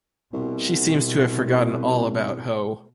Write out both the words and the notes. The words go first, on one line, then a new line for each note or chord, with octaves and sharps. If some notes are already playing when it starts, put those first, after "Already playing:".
She seems to have forgotten all about Ho.
C2 B2